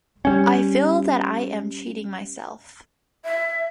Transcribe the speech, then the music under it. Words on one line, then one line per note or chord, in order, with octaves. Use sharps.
I feel that I am cheating myself.
G3 C#4
E5